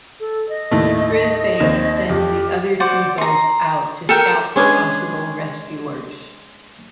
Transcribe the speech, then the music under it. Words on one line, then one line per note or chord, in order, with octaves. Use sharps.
Brisbane sent the other two boats out to scout for possible rescuers.
A4
D#5
D#2 A2 A3
D#2 C4
F2 G4
F#4 C5 D5
A#5 C6
A4 A#4 G5
G#3 C#4 D4 G#4 B4